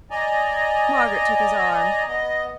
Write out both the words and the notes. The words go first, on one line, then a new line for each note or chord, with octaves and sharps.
Margaret took his arm.
D5 D#5 G#5 A#5
B3 D#5